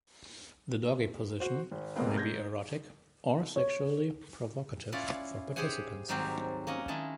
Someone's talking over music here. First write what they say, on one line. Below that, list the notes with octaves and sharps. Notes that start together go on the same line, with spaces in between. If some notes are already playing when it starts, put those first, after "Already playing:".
The doggy position may be erotic or sexually provocative for participants.
F#4 C5
G#1
F1 G#2 B2 A#3 C4 B4
G#2 G6 G#6 A#6
C#5
C#4 E4 F4 D5 F5 F#5
G4 G#4 C5 F#5 G#5
G#2 D#3 F#3 G3 C4 G4
A#3 C#4 D#5 F#5
D#3 G#3 E4 A5